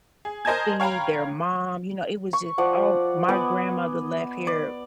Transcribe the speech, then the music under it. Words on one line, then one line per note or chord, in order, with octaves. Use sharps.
see their mom, you know, it was just oh, my grandmother left here
G#4
A#4 C5 D#5 G#5 A5 G#6
C#5 F5 G5 A#5 B5
C#6
F3 D5 F#5
B3 D5 D#5 G#5
D5